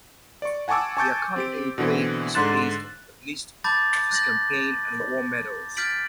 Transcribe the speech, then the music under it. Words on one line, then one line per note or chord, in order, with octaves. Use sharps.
The accompanying plaque displays a list of his campaign and war medals.
D5 C#6
F#5 G#5 A5 C#6 D6 E6
G#5 A5 C#6 D6 G6 A6
C4 G4 D7
B2 D3 E3 C4
G#2 D3 C6 F#6 A6 E7
A5 B5 D6 G6 A6
F#6 G6 A6 A#6 F#7
F6 G6 A6 B6 D7 F#7